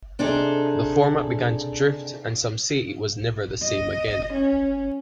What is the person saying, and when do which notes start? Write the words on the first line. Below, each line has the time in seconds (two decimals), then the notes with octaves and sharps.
The format began to drift and some say it was never the same again.
0.19 C3 D4 D#4 G#4 A4
3.62 D#5
4.33 C#4